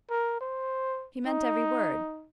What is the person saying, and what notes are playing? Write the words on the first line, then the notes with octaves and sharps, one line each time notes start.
He meant every word.
A#4
C5
D#4